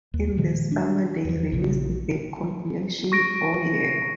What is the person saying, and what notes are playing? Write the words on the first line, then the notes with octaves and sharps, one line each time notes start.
In the summer, they released the compilation O, Yeah!
D#2
A#2 D#3 F3 G#3
D4
E2 F3
A#1 C#3
C#6 A#6 D7